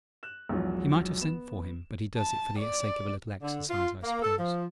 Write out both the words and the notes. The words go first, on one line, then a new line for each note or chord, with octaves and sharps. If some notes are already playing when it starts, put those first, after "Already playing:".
He might have sent for him; but he does it for the sake of a little exercise, I suppose.
F#6 E7
B1 E2 G#2 F3 F#3
B3 E7
A5
D5
D3
F4
A#3
A4
F3